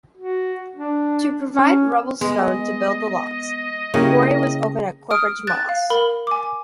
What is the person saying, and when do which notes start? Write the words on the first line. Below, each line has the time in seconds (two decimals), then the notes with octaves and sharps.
To provide rubble-stone to build the locks, a quarry was opened at Corpach Moss.
0.17 F#4
0.76 D4
1.50 C#4
2.21 G#3 B3 D#5
3.94 C#3 A#3 E4 G4 A#4 C#5
5.11 D#6 F6 D7
5.47 F#6 A6
5.69 F5
5.90 A#4 B5
6.27 G#5 D6